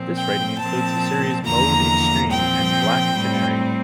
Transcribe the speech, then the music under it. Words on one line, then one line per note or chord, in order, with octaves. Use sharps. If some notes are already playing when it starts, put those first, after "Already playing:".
This writing includes the series "Mode Extreme" and "Black Canary".
Already playing: A#2 F3 C4
G5
A#2 F3 C4 A5
E2 D3 F3 A#3 A#5
A#2 F3 C4 G5
A2 G3 C4